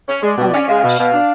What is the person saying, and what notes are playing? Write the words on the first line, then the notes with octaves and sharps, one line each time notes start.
Oh my gosh.
C#4
G#3 D5
B2
C#4
G#3 F5
B2
B2
D4